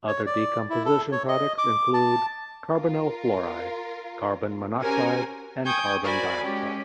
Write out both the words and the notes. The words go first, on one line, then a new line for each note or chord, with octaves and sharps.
Other decomposition products include carbonyl fluoride, carbon monoxide and carbon dioxide.
C#5
D5
E4
A4
C#5
D#5
D6
A5
F4 A#4
C#4 F#4 G4 A#4 C5 G#5
G5 G#5 C#6 D#6 G6 G#6
F#4 A#4 C5 D5 G#5 B5
G#3 C#4 G4